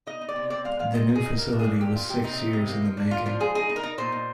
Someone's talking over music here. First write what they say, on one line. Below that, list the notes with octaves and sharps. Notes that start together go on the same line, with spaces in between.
The new facility was six years in the making.
D#4 D#5
D#4
D5
C3
C4 D5
G#3 F5
C3 F5
C3 D#5
D#4
G#4
D#4
A#3 A#4
D4
G#4
A#3
A#2 G4
A#2 F4
A#2 G4
C3 D#4
C3
C3
A#3
F3
D4
D4 F4
F3 F4
G#3 G#4
D#4 G#4
D#4
A#4
D#4
A#2 C5
A#2